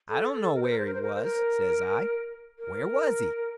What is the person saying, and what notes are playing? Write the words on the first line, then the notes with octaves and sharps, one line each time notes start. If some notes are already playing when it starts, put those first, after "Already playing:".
"I don't know where he was," says I; "where was he?"
A4
A4
A#4
C5
A#4
C5
A#4
C5
A#4
C5
A#4
A#4